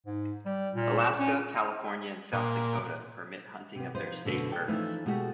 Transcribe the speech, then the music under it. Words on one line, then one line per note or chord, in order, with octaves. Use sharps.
Alaska, California, and South Dakota permit hunting of their state birds.
G#2
G3
A#2
C#4
A#2
C3 B3
F3 D#4 B4 C5
F#2 B2 D3 A3
A4 D5 G5
E3 F3 A3 C#4 D#4 E4
B2 G#3 A3 F#4 G4